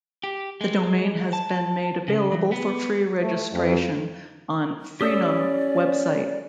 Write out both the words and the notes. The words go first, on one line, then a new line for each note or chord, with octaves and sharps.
The domain has been made available for free registration on Freenom website.
G4
G#3
A5
C#3
E3
B3
A3
F2
C#4 G4 D5 D#6 E6